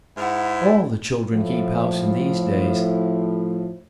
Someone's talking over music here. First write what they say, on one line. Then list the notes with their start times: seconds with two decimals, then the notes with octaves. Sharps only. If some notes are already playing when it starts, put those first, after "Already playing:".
All the children keep house in these days.
0.17 G#2 E4 F#5 A#5 F6
1.33 A2 F3